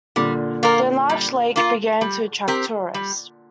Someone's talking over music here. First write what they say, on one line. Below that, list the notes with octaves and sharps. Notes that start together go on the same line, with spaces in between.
The enlarged lake began to attract tourists.
A#2 D3 G3
A#3 F4 A#4
G3
A#3 F4 A#4
G3
C4 G4 A#4
G3